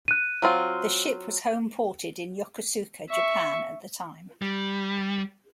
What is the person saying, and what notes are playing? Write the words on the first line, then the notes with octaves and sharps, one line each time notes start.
The ship was homeported in Yokosuka, Japan, at the time.
F#6 D#7
F#3 C4 F4
E5 C#6
G3